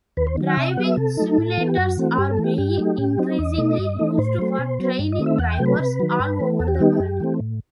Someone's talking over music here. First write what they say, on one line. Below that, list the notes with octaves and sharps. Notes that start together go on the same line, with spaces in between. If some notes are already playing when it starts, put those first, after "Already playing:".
Driving simulators are being increasingly used for training drivers all over the world.
D#2 B4
C5
D#3 F#3
F#5
C3 E5
F#5
F#3 B3
E5
C3 A4
F#3 A3 D#4
A2
E3 B3
G4
F#2 F#4
E3 A3 C4
G2 G4
A4
E3 A3
G4
G2 G4
F#3 A3 D#4
A2
F#3 C4 D#4
E2 D#5
B2 A3 D#4
G2
E3 A3 D#4
A2 C5
F#3 A3
B2
F#3 B3
G2
D#5
D#3 A3 C4
E5
E2 F#5
G5
C3 F#3 A3
B4
C3
D#3 F#3
G2
E3 A3
E2 A4
G4
F#4
D#3 G3 B3 D#4 G4
F#2
E3 A3 C4
A2